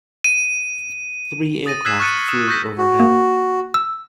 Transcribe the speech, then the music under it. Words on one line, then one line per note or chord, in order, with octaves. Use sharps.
Three aircraft flew overhead.
D#7
D#6 A6 A#6 D#7
E6 F#6 G#6 B6 C7 E7
C#6 F6 F#6 A6 C#7 D#7
D#6 E7
C#6 G6 A#6 B6
F#4
A#3
E6